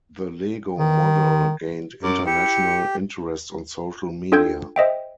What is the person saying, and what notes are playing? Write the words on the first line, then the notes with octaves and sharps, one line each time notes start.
The Lego model gained international interest on social media.
D#3
F#2 D6
E4 G4 C#7
D4 F4 A4 G5 G6 G#6
C5 D#5 E5 G5